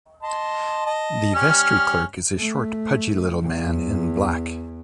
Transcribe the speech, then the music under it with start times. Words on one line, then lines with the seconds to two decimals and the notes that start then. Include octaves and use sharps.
The vestry-clerk is a short, pudgy little man, in black.
0.23 D#5 A5 C6
0.86 D#5 A5
1.35 G3 C#4 F6
2.39 A3
3.42 E2